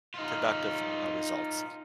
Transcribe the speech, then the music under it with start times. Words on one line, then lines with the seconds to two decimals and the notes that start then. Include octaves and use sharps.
productive, uh, results.
0.14 D#4 F4